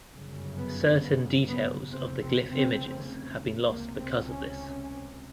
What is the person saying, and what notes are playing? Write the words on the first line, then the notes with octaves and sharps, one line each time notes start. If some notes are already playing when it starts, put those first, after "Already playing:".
Certain details of the glyph images have been lost because of this.
G1 F#2 C#3
B3
B3
B3
F1 E2 C#3 C4
C4
C4
C#2 C3 A#3
C4
C#4